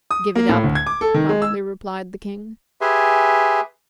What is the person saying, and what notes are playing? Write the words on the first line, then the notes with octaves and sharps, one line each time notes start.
"Give it up," promptly replied the King.
D#6
A#3
A2
D2
G#6
D6
A4
D#3
G#3
E6
G4 G#4 B4 E5 G#5 C6